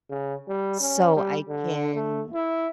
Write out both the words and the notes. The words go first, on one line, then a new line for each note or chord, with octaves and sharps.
so I can
C#3
G3
C#4
G3
D3
A3
E4